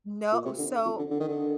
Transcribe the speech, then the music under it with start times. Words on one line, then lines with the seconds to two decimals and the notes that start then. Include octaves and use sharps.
No, so
0.33 A#2
0.45 C3
0.58 D3
0.85 F2
0.98 D3
1.10 D3
1.20 D#3
1.28 D3